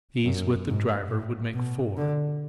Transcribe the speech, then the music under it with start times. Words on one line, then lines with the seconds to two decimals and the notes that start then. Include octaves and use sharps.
These, with the driver, would make four.
0.24 F#2
0.68 G#2
1.10 A2
1.54 B2
1.97 D3